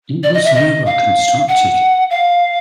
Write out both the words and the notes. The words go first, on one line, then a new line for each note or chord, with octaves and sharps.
It was never constructed.
D5
D#5
E5
D#5
F5
F#5
F5